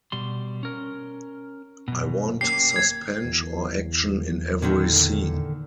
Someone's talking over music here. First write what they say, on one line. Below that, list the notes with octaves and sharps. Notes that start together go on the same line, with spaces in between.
'I want suspense or action in every scene.
B2 G3 C6
C#4 A#4
F#2 B2
A#3 C#4 G4 C7
G#6
E2
A#2 D3 D#3